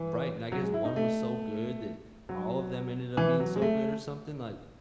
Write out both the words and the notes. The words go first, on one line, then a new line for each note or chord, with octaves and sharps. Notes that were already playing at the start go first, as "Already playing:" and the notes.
right, and I guess one was so good that all of them ended up being so good or something like
Already playing: E3
F#3
G#3
E4
D#4
A3
F#3
E3
F#3
G#3
A3